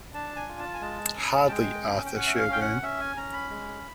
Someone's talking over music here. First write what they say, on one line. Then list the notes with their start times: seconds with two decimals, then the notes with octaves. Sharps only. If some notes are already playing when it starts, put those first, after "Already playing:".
Hardy, Arthur Sherburne.
0.14 D4 A5
0.36 G#5
0.48 F4
0.59 A5
0.74 G#5
0.81 G#3 A5
1.15 C#4
1.48 G#3 G5
1.82 C#4
2.06 G5
2.15 C#4 F#5
2.27 E5
2.39 F5
2.49 C#4 G5
2.61 F#5
2.82 C#4 E5
3.00 G#5
3.16 C#4 A#5
3.33 B5
3.50 G#3